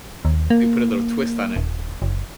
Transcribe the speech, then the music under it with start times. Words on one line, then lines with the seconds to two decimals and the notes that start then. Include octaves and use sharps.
You put a little twist on it.
0.25 D#2
0.50 A#3
1.56 D#1
2.02 F#1